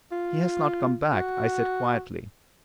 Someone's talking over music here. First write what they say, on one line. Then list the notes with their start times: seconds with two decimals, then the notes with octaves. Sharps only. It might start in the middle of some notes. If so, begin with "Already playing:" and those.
"He has not come back," I said quietly.
0.12 F4
1.12 F#4